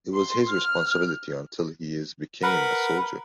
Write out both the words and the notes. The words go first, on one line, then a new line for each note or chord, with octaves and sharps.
It was his responsibility until he is became a soldier.
C6
F6
A#4 B4 F#5